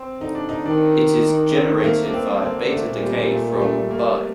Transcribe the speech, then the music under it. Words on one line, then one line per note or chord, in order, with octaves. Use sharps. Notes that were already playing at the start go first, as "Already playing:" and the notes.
It is generated via beta decay from Bi.
Already playing: C4
D3 D#4
D4
D#4
D#3 D4
C4
A3
A#3
D4
C4
D3 C4
A3
A#2
G3
G3
A3
G3
A3
A#3